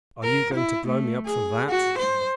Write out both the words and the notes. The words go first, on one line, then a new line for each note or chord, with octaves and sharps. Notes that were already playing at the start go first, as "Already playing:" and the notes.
Are you going to blow me up for that?
A#4
E4
A3
G#4
F#4
C5